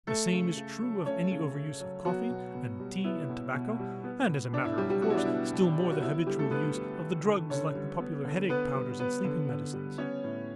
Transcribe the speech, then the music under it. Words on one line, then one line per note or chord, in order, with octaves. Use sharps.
The same is true of any overuse of coffee and tea and tobacco, and as a matter of course still more the habitual use of the drugs like the popular headache powders and sleeping medicines.
A3 A4
C#3
C#3
F#3
A3 C#4 C#5
C#3
C#3
F#3
F#3 B3 F#4
B2
B2
G3
B3 E4
B2
B2
G3
B3
B2
B2 D4
E4
F#3 G3 G4
G3 G4
B3 F#4
E4
D4
B2 E4
B2
F#3 G4
F#4
B3 E4
E4
D3 G3 G4
A3 A4
D3 B3 B4
G3
B3
D3
D3 C#4 C#5
G3
B3
D3
D3 B3 B4
G3
B3 B4
D3
D3
G3
B3 C#4 C#5
A2